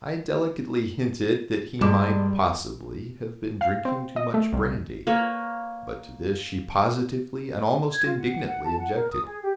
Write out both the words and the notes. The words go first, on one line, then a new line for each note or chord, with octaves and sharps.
I delicately hinted that he might, possibly, have been drinking too much brandy; but to this she positively and almost indignantly objected.
G2 G3 G#3 D6 E7
F5
C4
D#5
A3
C2
A#3 B4 C#5
G#6
F4
F#5
F#5
A5
F#5
A#4
D#6
G#4
G4